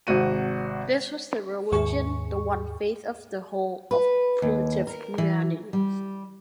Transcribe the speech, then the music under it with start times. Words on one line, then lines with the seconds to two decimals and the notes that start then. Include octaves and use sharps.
This was the religion, the One Faith of the whole of primitive humanity.
0.07 G#1 C3 F#4 D#7
1.72 D#2 G#2 G#4 C#6
3.91 B4
4.42 D#2
4.87 A#4
5.18 E3
5.73 G3